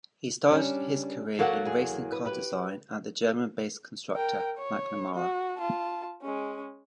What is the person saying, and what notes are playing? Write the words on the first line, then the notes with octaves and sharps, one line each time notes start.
He started his career in racing car design at the German-based constructor McNamara.
G3 C#4 D4
F#3 A#3 A4 F#5
E2 G#4
B4
G4 B4
A#4 G5
C#5
F#4
F4 A5
G#3 C#4